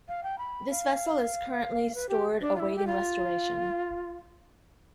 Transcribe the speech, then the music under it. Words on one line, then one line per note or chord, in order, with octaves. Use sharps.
This vessel is currently stored awaiting restoration.
F5
G5
B5
F5
B4
G4
D4
F4
E4
G4
F4